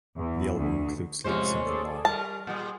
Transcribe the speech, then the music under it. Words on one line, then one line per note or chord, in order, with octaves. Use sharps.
The album includes lead single "Liar".
E2
D2
F2 A2 C3 G#3 C#4 C5
G#4 A4 D5
G3 A#4 A5
A#2 G3 G#4